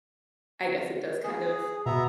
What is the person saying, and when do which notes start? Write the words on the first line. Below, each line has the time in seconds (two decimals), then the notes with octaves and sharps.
I guess it does kind of
1.24 G#4
1.86 B2 B3 E5 A#5